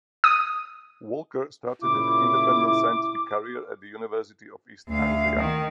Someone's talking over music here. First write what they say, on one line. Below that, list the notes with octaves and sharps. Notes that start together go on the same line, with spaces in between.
Walker started her independent scientific career at the University of East Anglia.
D#6
A#2 C#3 E4 D6
D2 F5
D#3